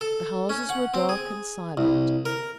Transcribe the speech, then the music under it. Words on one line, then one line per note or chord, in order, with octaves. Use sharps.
The houses were dark and silent.
A4
C#4
F#5
C4
G#4
C2
A#4